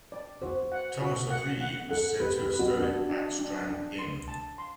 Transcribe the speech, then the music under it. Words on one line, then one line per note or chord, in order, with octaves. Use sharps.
Thomas Occleve was said to have studied at Strand Inn.
D5
F#4 C5
F#5
F#4
F#5
F#5
A4 F#5
G4 B4
G4
B4
F#4
D4 F#4
D4
D4
D4
C6
A5
C6